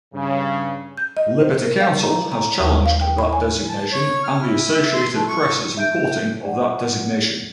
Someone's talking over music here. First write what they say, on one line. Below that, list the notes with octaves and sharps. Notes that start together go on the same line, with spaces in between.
Liberty Counsel has challenged that designation and the Associated Press' reporting of that designation.
G2 C#3
G6
D#5
C5
A#4
F5
A#5
A#5
D#2
F5
G5
B5
G#5
A5
C#5
F6
E4
E5
C6
A3
C#6
E5 G6 D7
D5 F#5